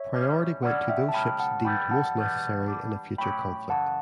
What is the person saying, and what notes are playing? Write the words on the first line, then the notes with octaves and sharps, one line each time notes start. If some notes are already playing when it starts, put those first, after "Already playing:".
Priority went to those ships deemed most necessary in a future conflict.
Already playing: C#5 E5
B2 G3 C#4
D3 G3 C#4 E4 A4 D5 F#5
E5 G5
A5
C#2 B2 F#3 C#4 G5 B5
F#5 A5
F#2 E3 G3 B3 G5 B5
F#5 A5
E2 B2 G3 B3
E3 G3 D4
A2 F#3 C#4 G4 G5 B5
F#2 C#3 E3 F#5 A5